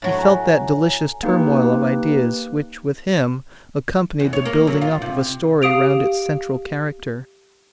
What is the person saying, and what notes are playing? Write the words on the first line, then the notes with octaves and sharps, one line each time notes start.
He felt that delicious turmoil of ideas which with him accompanied the building up of a story round its central character.
A2 F#3
G#5 A#5
A#3 D#4 G4 B4
E2
C#5
A#3
F#3
F4
C3
G4 F5 D#6 D7 F7